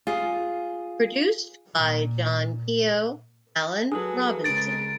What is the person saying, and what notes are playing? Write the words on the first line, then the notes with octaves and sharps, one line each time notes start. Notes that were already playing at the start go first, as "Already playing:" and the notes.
Produced by: John Keogh, Alan Robinson.
F4 G#4
A#2
F#3 G#4 A4 B4
C#3 G#3 A#4 A6 D7